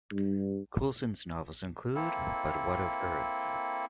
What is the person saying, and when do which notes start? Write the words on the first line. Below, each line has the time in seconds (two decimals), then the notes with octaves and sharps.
Coulson's novels include But What of Earth?
0.11 G2
1.95 A#3 C4 E4 A4